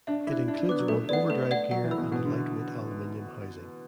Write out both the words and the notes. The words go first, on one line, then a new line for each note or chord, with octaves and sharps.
It includes one overdrive gear and a light-weight aluminum housing.
D4 E5
E4 D6
F#6
D4 E5
D4
B3 D6 F#6
F#3
A3 A4
B3 D5 F#5
A3 A4
D5 F#5
F#3 F#5
E3
B5 E6
B2
B2 F#5
D3